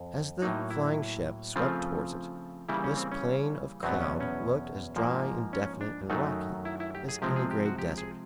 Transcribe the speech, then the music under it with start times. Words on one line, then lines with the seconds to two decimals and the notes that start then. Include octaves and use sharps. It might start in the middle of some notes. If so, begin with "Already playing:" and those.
As the flying ship swept towards it, this plain of cloud looked as dry and definite and rocky as any grey desert.
Already playing: F2
0.42 A2 F#3 A#3 D#4
0.70 E4
1.56 C#3 F3 A3 C4 F4
2.69 C#3 E3 G3 A#3 E4
2.84 C#4
2.98 C4
3.12 C#4
3.83 E2 B2 F#3 B3 C4
4.01 C#4
4.20 C#4
4.96 G#2 F3 A#3
5.53 C#4
5.81 D4
6.10 F#2 D#3 F#3 A3 D#4
6.65 E4
6.80 E4
6.95 G4
7.09 G#4
7.22 C3 F3 G#3 C4 G4
7.36 G#4
7.51 G4
7.65 F#4
7.78 G4
7.98 G#4